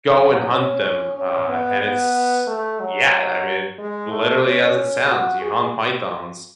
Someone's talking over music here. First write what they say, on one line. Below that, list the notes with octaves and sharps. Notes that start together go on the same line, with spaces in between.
go and hunt them, uh, and it's yeah, I mean, literally as it sounds, you hunt pythons.
F#3
C#4
C#4
C#4
B3
B3
A3
F#3
G#3
A3
C#4
F#4
G#4